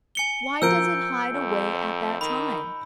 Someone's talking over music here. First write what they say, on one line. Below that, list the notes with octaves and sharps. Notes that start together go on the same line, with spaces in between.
Why does it hide away at that time?
G#5 C#7 G7
F3 A#4 E6 G6 D7
F2
D#3 B5